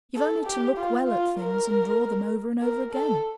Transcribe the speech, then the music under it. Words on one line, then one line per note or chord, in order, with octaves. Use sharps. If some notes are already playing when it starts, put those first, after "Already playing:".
You've only to look well at things, and draw them over and over again.
A4
G4
F4
F4
A#4
A#4
A4